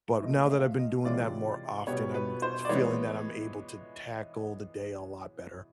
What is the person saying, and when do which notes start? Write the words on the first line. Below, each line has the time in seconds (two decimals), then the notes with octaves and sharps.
But now that I've been doing that more often, I'm f feeling that I'm able to tackle the day a lot better.
0.15 E5
0.23 A#2 F3 A3 D#5
0.44 E5
0.51 F5
0.78 D#5
1.05 C3 E3 G#3 C#4 F4 D5
1.87 B2 G3 B3 C#5
2.14 B4
2.42 C5
2.65 D5
2.69 E3 G#3 B3 C#5